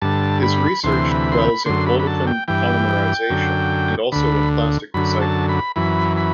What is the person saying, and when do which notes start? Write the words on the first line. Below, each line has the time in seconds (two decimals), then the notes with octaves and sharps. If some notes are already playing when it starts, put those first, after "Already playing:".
His research dwells in olefin polymerization, and also in plastic recycling.
0.02 G2 D3 A5
0.43 B5
0.83 D2 C3 E3 C6
1.11 B5
1.32 C6
1.39 B5
1.66 F#2 D3 C6
1.87 B5
2.00 B5
2.07 A5
2.27 G5
2.48 G2 E3 G5
3.30 F#2 D3
4.12 D2 D3 B5
4.94 F#2 D3 B5
5.21 A5
5.49 B5
5.76 F#2 E3 B5
6.17 B5